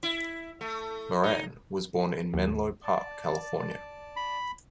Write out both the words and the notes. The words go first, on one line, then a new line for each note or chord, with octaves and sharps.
Maran was born in Menlo Park, California.
E4
A3
D#4
D#2
D5 A5
B5